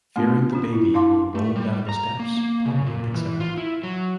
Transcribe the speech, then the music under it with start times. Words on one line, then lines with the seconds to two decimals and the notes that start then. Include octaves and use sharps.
Fearing the baby will roll down the steps, Polly picks it up.
0.16 A3 B3 D4 F4
0.53 C#4 F4
0.73 E4
0.94 D4 E4 F5 A5 C6 D6
1.35 A3
1.56 G3
1.89 A#5
2.19 A#3
2.37 A#3
2.66 C#3
2.87 A#2
3.14 E3
3.40 F4
3.57 E4
3.84 F#3